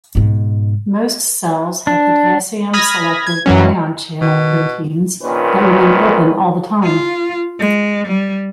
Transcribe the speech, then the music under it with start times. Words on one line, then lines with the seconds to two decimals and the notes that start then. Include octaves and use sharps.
Most cells have potassium-selective ion channel proteins that remain open all the time.
0.15 G#2 B2
1.87 D4
2.73 B5 D#6 F6 G#6 A#6 B6
3.27 G#6
3.46 F#2 E3 F#3 C#4
4.21 B2 D#3
5.22 A#1 A#2 D#3 C#4 B4
6.83 F4
7.59 G#3
8.07 G3